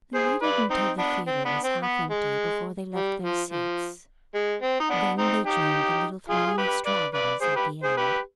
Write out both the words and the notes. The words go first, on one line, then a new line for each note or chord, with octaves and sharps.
They waited until the theatre was half empty before they left their seats. Then they joined the little throng of stragglers at the end.
G#4 C5
B4 D5
C4 D#4
B3 D4
C4
B3 D4
C4
B3
G#3
G3
F3
F3
G#3
C4
D#4
B3 D4
C4 D#4
D#4 G4
F4 G#4
G#4
G4 B4
B4 D5
B4 D5
G#4 C5
G4 B4
G#4 C5
G4 B4